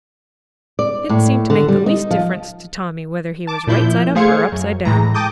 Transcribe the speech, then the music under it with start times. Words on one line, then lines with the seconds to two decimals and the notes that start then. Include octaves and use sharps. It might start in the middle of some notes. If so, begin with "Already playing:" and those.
It didn't seem to make the least difference to Tommy whether he was right side up or upside down.
0.79 D5
1.09 A2
1.50 D3
1.68 G3
1.86 D#4
2.10 F3
3.47 A5 D6
3.67 A#2 F3 E4 G6
4.15 A3 G#4 C5 F5 G#6 C#7
4.52 F#2
4.85 A2 E3 G#3 A#5
5.14 G5 A5 D6 D#6 G6